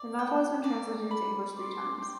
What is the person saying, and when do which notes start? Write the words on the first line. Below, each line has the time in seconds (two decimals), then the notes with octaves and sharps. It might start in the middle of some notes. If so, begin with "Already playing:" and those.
The novel has been translated into English three times.
Already playing: D5
0.19 G5
0.64 D5
1.11 B5
1.56 D5 C6 D6
2.02 G5